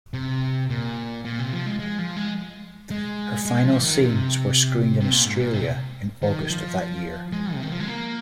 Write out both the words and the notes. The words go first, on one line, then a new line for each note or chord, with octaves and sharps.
Her final scenes were screened in Australia in August of that year.
C3
A#2
A#2
C3
F3
G#3
G#3
F3
G#3
G#3
G#3
F3
D#3
C3
C3
A#2
G#2
A#2
C3
D#3
F3
G#3
C3
D#3
F3
G#3
A#3